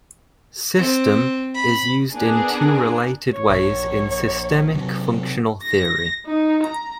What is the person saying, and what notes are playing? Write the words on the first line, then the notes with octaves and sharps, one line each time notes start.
"System" is used in two related ways in systemic functional theory.
C4
B5
B3 D4 G#4 A#4
C#5
A#1
C3 F#3
A#6
D#4
A#5